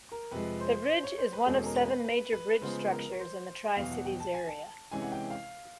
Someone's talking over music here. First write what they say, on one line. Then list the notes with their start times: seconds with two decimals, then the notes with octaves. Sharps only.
The bridge is one of seven major bridge structures in the Tri-Cities area.
0.12 A#4
0.31 F2 C3 F3 G#3 B4
0.60 C5
0.89 C5
1.04 C#5
1.18 C5
1.33 B4
1.46 E2 B2 G#3 C#4 A4
1.66 A#4
1.86 B4
2.04 B4
2.33 B4
2.62 C#3 F3 G#3 B3 C5
2.91 A#4
3.12 C#5
3.19 C5
3.76 E2 B2 F#3 F5
3.92 F#5
4.05 G5
4.20 A5
4.34 G#5
4.47 A5
4.92 C3 E3 G#3 C#4 G#5
5.02 F#5
5.12 G5
5.30 F5